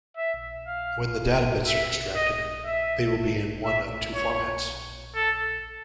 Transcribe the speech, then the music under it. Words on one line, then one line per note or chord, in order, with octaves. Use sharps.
When the data bits are extracted they will be in one of two formats.
E5
F5
E5
D#5
E5
E5
C#5
A4